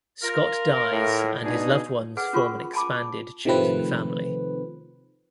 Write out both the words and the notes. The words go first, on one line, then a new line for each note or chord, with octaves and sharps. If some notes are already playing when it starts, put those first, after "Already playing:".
Scott dies and his loved ones form an expanded chosen family.
F4 A#4
A2
B2 D4 D#4 G#4
G#4 B4 F#5 G#5
C#4 F4 A#4 B5 C#6
G#5 A5 B5 D6
C3 D#3 F3 A3 C4 B4